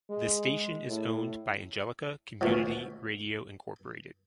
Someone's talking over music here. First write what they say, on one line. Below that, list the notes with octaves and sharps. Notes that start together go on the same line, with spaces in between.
The station is owned by Angelica Community Radio Inc.
G#3
A2
D2 B2 F3 F#3